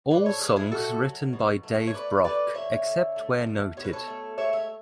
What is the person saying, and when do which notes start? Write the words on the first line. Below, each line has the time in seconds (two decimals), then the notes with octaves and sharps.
All songs written by Dave Brock except where noted.
0.10 A2 B4 D5
0.26 A4 C#5
0.41 F#3 G#4 B4
0.56 E4 G#4
0.71 A3 F#4 A4
1.02 F#3
1.33 B2
1.63 A3
1.87 C#5
1.94 A3 B4 D5
2.25 D3 B4 D5
2.55 D3 C#5 E5
2.85 D3
3.16 A3
3.47 B2
3.77 B2 C#5
3.84 B4
3.93 A4 C#5
4.08 A3
4.38 G#3 C#5 E5
4.53 C#5 E5